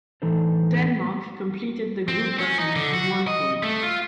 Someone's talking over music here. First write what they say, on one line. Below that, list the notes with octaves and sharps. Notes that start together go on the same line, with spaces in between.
Denmark completed the group bottom, on one point.
A2 E3 D4 D#4 A4 C5
C4
C#4
D#4
D3
F#4
D#5
A3
F4